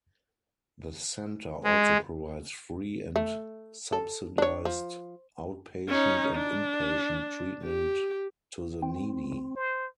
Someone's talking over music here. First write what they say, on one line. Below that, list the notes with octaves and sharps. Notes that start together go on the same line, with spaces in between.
The centre also provides free and subsidised out-patient and in-patient treatment to the needy.
G#3
A3
A4
D4 C#5
F3
C#4 D#4
D4
G4
C4
C5